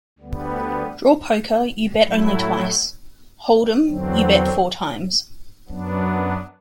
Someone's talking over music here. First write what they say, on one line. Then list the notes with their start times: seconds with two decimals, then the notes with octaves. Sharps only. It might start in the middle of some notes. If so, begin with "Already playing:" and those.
Draw poker, you bet only twice; hold 'em, you bet four times.
0.19 D2 D3 G3 B3
2.01 A2 F#3 A3 E4
3.85 E2 D3 F#3 C4
5.68 F#2 F#3 B3 D4